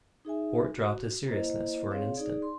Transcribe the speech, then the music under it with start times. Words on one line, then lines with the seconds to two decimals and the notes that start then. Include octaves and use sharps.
Fort dropped his seriousness for an instant.
0.25 D#4 G#4 E5 G#5
0.76 F#4
1.28 A#3 E4 C5 D#5
1.91 C4 G#4 C#5 F5
2.16 D#4 G#4 D5
2.42 C6